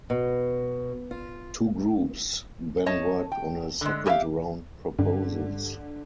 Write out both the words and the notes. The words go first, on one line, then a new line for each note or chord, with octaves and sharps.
Two groups then worked on a second round proposals.
B2
F4
C#5 D#5 A5
G5
D3 G#3
G4 G#4 C#5 E5 F5
G2 D3